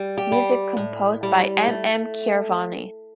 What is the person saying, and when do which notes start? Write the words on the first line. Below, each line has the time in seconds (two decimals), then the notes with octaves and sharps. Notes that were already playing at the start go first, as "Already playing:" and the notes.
Music composed by M. M. Keeravani.
Already playing: G3
0.17 G4
0.32 G3
0.77 A2
1.23 G3
1.68 A3